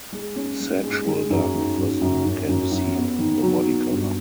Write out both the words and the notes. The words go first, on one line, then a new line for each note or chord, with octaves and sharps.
Sexual dimorphism can be seen in the body color.
G#3
C#4
G#3
G#3
G#3
F#2
D#3
F#2
F#2
F#2
F#2
F#2
B3
D#3
F#3
B3
G2